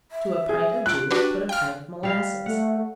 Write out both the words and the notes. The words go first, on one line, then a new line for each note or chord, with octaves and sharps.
To a pint of juice, put a pint of molasses.
E5
G#4
F4 F#6 D7
D4 F#4 G4 B4
F5 G5 F6
G3 F5
A3 F#5